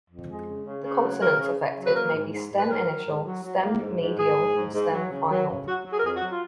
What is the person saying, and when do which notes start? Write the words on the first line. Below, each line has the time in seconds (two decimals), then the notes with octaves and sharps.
The consonants affected may be stem-initial, stem-medial, or stem-final.
0.09 F2
0.28 G#3
0.46 C#3
0.65 C#3
0.83 C#3
1.02 F#3
1.20 C#3 A#4
1.39 C#3
1.58 C#3
1.76 F#3
1.85 B4
1.94 A#3 A#4
2.14 G#2
2.31 G#2
2.51 G#2
2.59 B4
2.69 G#2 A#4
2.88 F#3
3.07 G#2
3.25 F#3
3.43 F#3
3.61 A#3
3.80 G#2
3.99 G#2
4.18 G#2 G#4
4.36 G#2
4.55 G#2
4.73 G#2
4.92 F#3
5.10 C#3
5.30 F#3
5.47 C#3
5.66 F#3 F#4
5.85 F#3
5.91 G#4
5.98 A#4
6.03 F2 G#4
6.16 F#4
6.22 F#3
6.30 F4